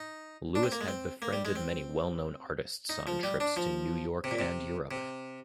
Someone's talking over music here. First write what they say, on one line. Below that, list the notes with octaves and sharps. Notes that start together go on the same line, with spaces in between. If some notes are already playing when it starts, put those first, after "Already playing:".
Lewis had befriended many well-known artists on trips to New York and Europe.
Already playing: D#4
D4
C4
A#3
G#3
C4
A#3
G3
G#3
C4
D#4
F3
G3
D4
F3
C3
A#2
C3
C3